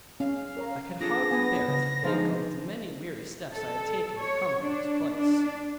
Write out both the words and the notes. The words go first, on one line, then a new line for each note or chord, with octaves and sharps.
I could hardly bear to think of the many weary steps I had taken, to come to this place.
C#4 F5
A#4 C#5 A#5
D4 F4 G#4 A4 A#6
B3 G#5
C#3
D3 F3 G#3 D#4 B4 C5 F5
A4
C#5
D4
D4